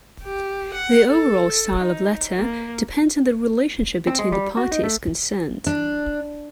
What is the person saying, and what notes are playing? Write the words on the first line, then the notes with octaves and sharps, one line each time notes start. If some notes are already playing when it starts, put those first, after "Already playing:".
The overall style of letter depends on the relationship between the parties concerned.
G4
F#5
A4
D#4
A#3
C4
G#3
G3
F#4
D#4
A3
D4